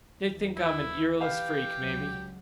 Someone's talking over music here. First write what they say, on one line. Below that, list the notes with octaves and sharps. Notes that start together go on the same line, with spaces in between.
They think I'm an earless freak, maybe.
D#2 E3
E4
G4 B4 F5 G5
C#2 F#3